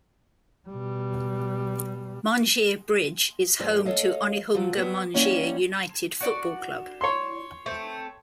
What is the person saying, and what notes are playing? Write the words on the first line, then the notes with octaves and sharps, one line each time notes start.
Mangere Bridge is home to Onehunga-Mangere United football club.
B2 G3
G2 F3 G#3 A3
A4 C#5 D#5 F5
F3 F#3
G3 B3
E2 E3 G3 A#3 C#4 F#5
F#4 D5 F#5
C#5 C6
A3 C4